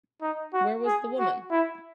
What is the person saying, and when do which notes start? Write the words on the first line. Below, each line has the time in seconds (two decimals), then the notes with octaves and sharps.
Where was the woman?
0.22 D#4
0.54 F#4
0.86 G#4
1.19 F#4
1.51 E4